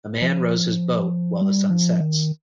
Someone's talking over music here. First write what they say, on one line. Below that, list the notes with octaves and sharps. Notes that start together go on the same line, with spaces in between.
A man rows his boat while the sun sets.
F3
G3
F3
D#3